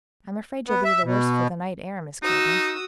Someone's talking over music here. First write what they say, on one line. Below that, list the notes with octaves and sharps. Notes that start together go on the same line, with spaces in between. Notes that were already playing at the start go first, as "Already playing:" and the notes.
I'm afraid you'll be the worse for the night air, Miss Kilburn.
B3
E5
B2
D#4 F#4 D#6 E6